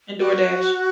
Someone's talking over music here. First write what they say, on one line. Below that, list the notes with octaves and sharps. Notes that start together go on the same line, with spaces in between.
And DoorDash
F#4